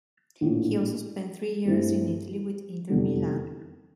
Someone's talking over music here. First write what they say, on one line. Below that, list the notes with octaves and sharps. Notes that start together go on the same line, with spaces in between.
He also spent three years in Italy with Inter Milan.
A#1 A2 E3
G2 E3 A3 C4 E4
F1 E2 D3 G3